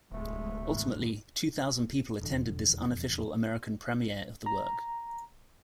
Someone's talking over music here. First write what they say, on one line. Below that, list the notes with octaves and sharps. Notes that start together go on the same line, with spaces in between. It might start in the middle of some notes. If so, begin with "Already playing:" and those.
Ultimately, two thousand people attended this unofficial American premiere of the work.
D1 C2 G#3 A3
G#1 E2 B2
E1 F2 D3
A#5